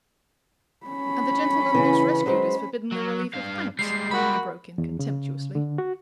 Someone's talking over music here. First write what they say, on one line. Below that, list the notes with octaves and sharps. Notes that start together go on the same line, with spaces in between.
'And the gentleman thus rescued is forbidden the relief of thanks!' he broke in contemptuously.
C#4 B5
C#3 E3
F#3 G#3 C5
F#3
G2 F5
G3 G#3 C7
A#3 F#4 B5
E2
C#3
D3
F#4